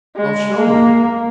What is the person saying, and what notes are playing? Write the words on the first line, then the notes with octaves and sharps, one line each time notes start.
I'll show you.
G#3
A#3